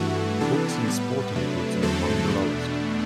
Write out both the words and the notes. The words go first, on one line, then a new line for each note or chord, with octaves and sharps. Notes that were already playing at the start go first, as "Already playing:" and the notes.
Books and sporting goods are among the lowest.
Already playing: G2 E3 A3 F#4
C3 E3 B3 D4 A4
A2 G3 B3 B4
C3 F#3 A3 D4
E2 D3 F#3 A3 C4 A4
E2 B2 A3 D4